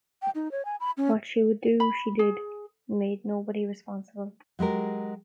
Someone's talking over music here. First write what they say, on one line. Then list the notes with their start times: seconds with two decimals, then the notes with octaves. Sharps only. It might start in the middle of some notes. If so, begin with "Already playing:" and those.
What she would do she did, and made nobody responsible.
0.22 G5
0.35 D#4
0.52 C#5
0.65 G#5
0.80 B5
0.97 C#4
1.80 B5
2.19 G#4
4.59 F#3 G#3 G4 A#4